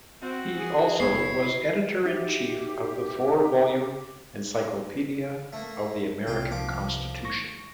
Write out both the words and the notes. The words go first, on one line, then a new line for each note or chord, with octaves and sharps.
He also was editor-in-chief of the four-volume "Encyclopaedia of The American Constitution".
C4 F#4
G#4
F#1 B3 E4 C#5 C7
D#4 F#4 G4 E5
A3 A#3
C2 C3 F4 G5
F3 D6
C#6 A#6